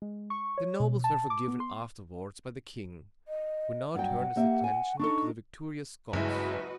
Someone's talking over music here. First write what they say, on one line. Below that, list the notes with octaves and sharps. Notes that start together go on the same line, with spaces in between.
The nobles were forgiven afterwards by the king, who now turned his attention to the victorious Scots.
G#3
C#6
C#5
B2
A5
D6
B3
C6
D#5
G2 F#3 F#5 G5
A#3 G4 E5
G#5
D4 D#4 A4 C#6
F#1 G2 G#3 E4 F#4 B4 D#5